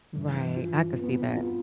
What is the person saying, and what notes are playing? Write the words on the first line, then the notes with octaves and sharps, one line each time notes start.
Right. I could see that.
G2 E3
F3
B3 C4
F4